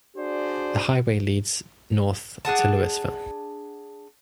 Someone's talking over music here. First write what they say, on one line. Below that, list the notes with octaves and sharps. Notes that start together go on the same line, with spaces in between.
The highway leads north to Louisville.
D4 F#4 G#4 C5 D5
D4 G#4 F#5 A5